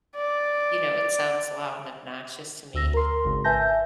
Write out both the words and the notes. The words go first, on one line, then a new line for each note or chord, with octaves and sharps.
you know, it sounds loud and obnoxious to me,
D5
D2 E6 A#6
A#4 C6
G#1 C#3
B4 E5 G#5 A5 G6 A#6